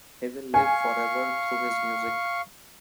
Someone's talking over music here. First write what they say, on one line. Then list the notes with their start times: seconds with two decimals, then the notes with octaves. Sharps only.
He'll live forever through his music.
0.54 F5 G#5 C#6